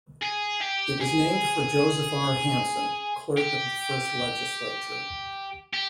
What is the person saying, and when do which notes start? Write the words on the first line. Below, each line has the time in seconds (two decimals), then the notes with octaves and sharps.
It was named for Joseph R. Hanson, clerk of the first legislature.
0.22 G#4
0.61 G4
1.01 G#4
3.37 G4
5.73 G4